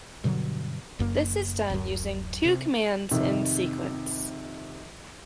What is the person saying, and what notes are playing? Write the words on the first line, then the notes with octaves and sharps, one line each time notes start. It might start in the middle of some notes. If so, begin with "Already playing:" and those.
This is done using two commands in sequence.
G2 B2 D3 F#3
F#1 F#2 A#3
D1 F#2
C3
F2 G#2 C3 D#3